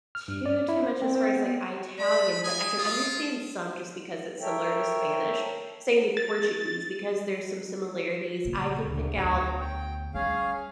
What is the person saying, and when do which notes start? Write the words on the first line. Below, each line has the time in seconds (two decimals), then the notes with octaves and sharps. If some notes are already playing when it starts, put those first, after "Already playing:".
too, too much as far as like Italian, but I can understand some, just because it's similar to Spanish. Same with Portuguese, because there's some similarities. I can pick out
0.15 F6
0.28 G2
0.46 D5
0.69 E4
0.83 C5
1.02 C4
1.15 C4
1.36 B3
1.98 D5 B5
2.44 G#5 D#6
2.78 F4
4.39 A4 A#4 C#5 E5 G5
6.17 A6
8.45 A#2 C#3
8.86 D2
9.16 E2 F#4 C#5
9.60 G5
10.14 G3 C#4 G#4 F5